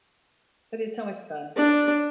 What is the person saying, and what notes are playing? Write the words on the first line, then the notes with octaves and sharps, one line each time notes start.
But it's so much fun.
D4